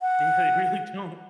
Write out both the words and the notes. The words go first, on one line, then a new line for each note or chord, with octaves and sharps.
Yeah, they really don't.
F#5